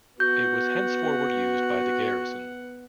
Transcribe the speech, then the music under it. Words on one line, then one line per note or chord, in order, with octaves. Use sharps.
It was henceforward used by the garrison.
B3 F#4 F#5 G6